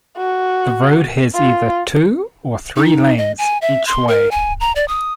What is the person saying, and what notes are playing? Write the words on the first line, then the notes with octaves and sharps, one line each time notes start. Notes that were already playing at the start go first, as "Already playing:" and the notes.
The road has either two or three lanes each way.
F#4
F4
D#4
D#5
G#5
E5
C6
A#4
G#5
A#5
D5
D#6